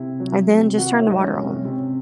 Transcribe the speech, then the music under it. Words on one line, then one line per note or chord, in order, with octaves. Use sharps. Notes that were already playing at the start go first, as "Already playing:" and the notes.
And then, just turn the water on
Already playing: C3 E4
F#3
C3
D#3 F#4 F#5
E4 E5
C#5
G#2 D#4 D#5
C#4 C#5
C3
C3